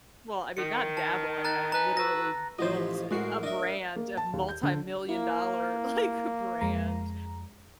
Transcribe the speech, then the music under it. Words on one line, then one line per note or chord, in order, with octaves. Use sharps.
Well, I mean, not dabbling, I literally built a brand, a multimillion dollar, like, brand,
D#3 C#7
A5
A#5 F#6 A6
C#4 D#4 B4 A#5 F#6
F#4 A4 B4 A#6
A1 F3 C#4 C5 D#5
G4
A1 G#3 F#4 A#4 C7
D4 D#5 E5
A#3
A5
D#2
G6
D3
A#3 E4
F2 G#3 A#5